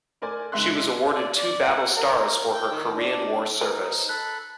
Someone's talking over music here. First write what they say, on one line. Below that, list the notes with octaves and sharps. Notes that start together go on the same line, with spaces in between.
She was awarded two battle stars for her Korean War service.
A3 A#4 C5 D5 G#5
F#1 G#3 D#4 E5 C6 F#6
D5
D5
F#5
A#4
G5
D#3
D4
D#4 B4 C5
A4 B5 F#6